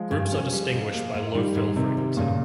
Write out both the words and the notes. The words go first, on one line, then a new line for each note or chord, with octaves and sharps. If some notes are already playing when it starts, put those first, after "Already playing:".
Groups are distinguished by low fill frequency.
Already playing: F3 G#3
G2
C#4
G3
G#2
A#3
G#2
G#2 D#3 G3
G#2
G#2 C3 D#3
G3
G2 A#2 C#3